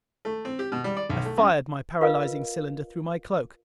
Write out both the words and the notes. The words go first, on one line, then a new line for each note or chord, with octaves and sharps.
I fired my paralyzing cylinder through my cloak.
A3
C4
G4
B2
G3
D5
B1
A3
F#2
F4 A#4 B4 D#5 F5